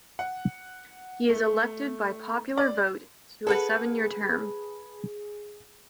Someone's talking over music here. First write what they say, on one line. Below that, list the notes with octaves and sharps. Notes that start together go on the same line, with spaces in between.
He is elected by popular vote to a seven-year term.
F#5
A3
D5
G#4 A4 B4 F#5